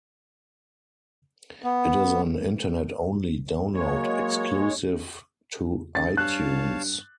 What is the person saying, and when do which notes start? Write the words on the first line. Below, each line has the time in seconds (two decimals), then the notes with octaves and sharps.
It is an internet-only download exclusive to iTunes.
1.64 B3
3.75 F#3 G#3 A#3 C#5
5.95 C#3 A6
6.17 G2 C#5 F5 A5 F#6